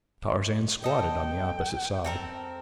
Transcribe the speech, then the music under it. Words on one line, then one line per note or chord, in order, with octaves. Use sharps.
Tarzan squatted on the opposite side.
A4 D#5 G5
C4 A4 A#4